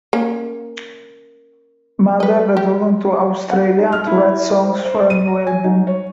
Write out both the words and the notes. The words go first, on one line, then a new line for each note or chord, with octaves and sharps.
Mather returned to Australia to write songs for a new album.
A#3 C#4
B4 D#5
G4
F#5
D#4
F6
E4
C5
C5
D#7
A#5
G#5
D#4
C#5